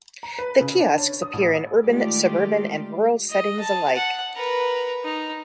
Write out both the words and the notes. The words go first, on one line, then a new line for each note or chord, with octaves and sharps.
The kiosks appear in urban, suburban and rural settings alike.
A#5
B4
C#3
D4
C#5
D#6
A1
D#3 G#3 A3 F4 G4 D5
D#5
A5
F#5
A#4 B4
D#4